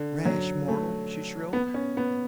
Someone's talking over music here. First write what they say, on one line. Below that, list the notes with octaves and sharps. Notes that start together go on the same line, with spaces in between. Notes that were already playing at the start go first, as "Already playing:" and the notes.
"Rash mortal!" she shrilled.
Already playing: D3
F#3
A3
B3
C#4
B3